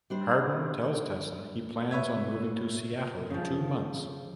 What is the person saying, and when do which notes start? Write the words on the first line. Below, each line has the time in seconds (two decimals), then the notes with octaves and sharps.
Hardin tells Tessa he plans on moving to Seattle in two months.
0.10 G3 D4 C5
1.91 B4 C#5 E5 G#6
3.30 C#3 F3